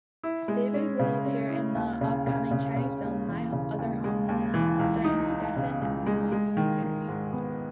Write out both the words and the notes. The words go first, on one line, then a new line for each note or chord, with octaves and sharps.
Davis will appear in the upcoming Chinese film "My Other Home" starring Stephon Marbury.
E4
G#3
C#4
C#3
C#4
E4
D#2
C#3
C#3
C#3
C#3
D#2
E3
C#3
D#2
G#3
D#2
E3
C#2
D#4
D#4
C#3
C#2
G#3
G#3
D#3
D#3
G#2
B3